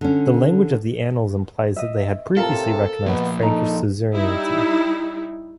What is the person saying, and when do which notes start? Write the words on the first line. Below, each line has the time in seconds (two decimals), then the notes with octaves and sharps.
The language of the "Annals" implies that they had previously recognized Frankish suzerainty.
0.01 D3 C#4
1.76 D#5 E5
2.37 A2 C3 F4 A4 A#4 A5
3.06 B2 F3 A#3 B3
3.42 D#4 A4 A#5
4.15 G3 D#4 E4